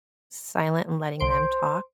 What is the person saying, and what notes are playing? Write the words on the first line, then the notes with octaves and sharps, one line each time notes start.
silent and letting them talk
C2 C5 C6 D7